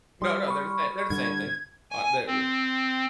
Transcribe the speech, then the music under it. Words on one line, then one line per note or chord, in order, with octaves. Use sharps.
No, no, they're the same they're the same thing. Uh, they they're
G3 C6 D#6 F6
B5 C#6
G2 D3 G#6
G#5
C4